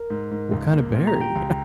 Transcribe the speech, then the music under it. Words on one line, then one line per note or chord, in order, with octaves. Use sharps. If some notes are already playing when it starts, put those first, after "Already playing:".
What kind of berry?
Already playing: A#4
G#2
G#2
C#2
A#3
A#2
A#5
G4
G5
C#2